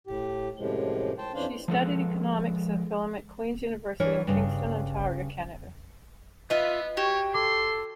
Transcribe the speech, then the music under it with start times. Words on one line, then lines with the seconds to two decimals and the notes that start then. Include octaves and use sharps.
She studied economics and film at Queen's University in Kingston, Ontario, Canada.
0.07 A2 G4
0.59 F#2 A2 C3 F3 G#3
1.18 C5 G5 A5
1.35 F2 E3 C#4 D4 C5 F5
1.68 F3 G#3 A4 B4
4.00 E3 D4 A#4 C#5
4.27 G2 C#3
6.50 B3 F4 B4 D#5 E5
6.97 F#4 G4 C#5 G5
7.34 A4 C6 D6